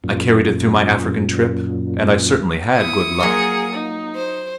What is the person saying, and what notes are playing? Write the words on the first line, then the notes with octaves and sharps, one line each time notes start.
I carried it through my African trip; and I certainly had good luck.
F#2 A#2
B3 E4 D#6 C#7
F#3 A#3 F4 G#4 A#4
D#4
C5